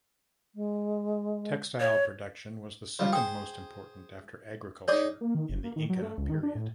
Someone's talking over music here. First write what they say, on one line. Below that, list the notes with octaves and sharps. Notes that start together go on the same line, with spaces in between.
Textile production was the second most important after agriculture in the Inca period.
G#3
C#5
F3 G3
G#4 C5 G5 D#6
D#4 G#4 C#5 D5 D6
A#3
D#3
F#1
A#3
D#3
F#3
A3
C#2
D#3
D4
A2